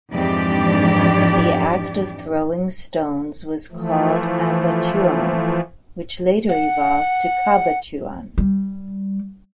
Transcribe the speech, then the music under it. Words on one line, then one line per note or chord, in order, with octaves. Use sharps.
The act of throwing stones was called "ambatuan" which later evolved to "cabatuan".
F2 G#2 E3 D4 G4 D5
E3 F3 A3
F#5
G3